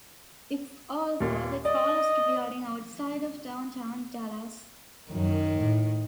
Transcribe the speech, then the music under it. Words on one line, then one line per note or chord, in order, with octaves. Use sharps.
It's also the tallest building outside of Downtown Dallas.
D#2 A#2
D5 D#5
F#2 D#3
A2